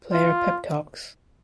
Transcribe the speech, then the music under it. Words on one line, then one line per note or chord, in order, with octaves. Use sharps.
Player pep talks.
F4